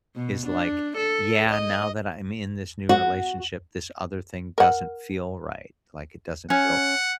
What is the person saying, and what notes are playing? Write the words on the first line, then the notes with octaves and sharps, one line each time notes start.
is like, "Yeah, now that I'm in this new relationship, this other thing doesn't feel right, like, it doesn't feel"
B2
D4
A4
D#5
F#4
A#4 F#5
C#4 F#5